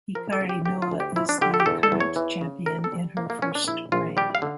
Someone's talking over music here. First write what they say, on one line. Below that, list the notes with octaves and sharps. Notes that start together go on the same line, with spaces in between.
Hikari Noa is the current champion in her first reign.
F3 A#4
A4
C#3
G4
D2 G4
F4
D2
G4
F3 E4
D4
D3 G4
A4
G4
E2 A4
A4
E2
C#5
E3
C#3
D2 A#4
A4
G3
F3 A#3
A#3
A#2 C#4
D4
A#1 E4
A#1 F4
G3 G4
F5
D3